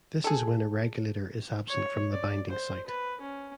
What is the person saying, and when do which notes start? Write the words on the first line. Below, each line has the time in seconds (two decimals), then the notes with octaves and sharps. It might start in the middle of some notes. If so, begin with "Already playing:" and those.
This is when a regulator is absent from the binding site.
0.24 G#4 A4
1.68 C#5
2.12 D5
2.50 C5
2.87 B4
3.21 C#4